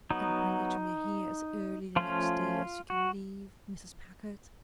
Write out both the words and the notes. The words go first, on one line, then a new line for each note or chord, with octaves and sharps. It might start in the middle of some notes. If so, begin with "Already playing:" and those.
"And bring it to me here as early the next day as you can leave Mrs. Packard?"
F#3 B3 D#4
F3 A3 C#4 F4
F#4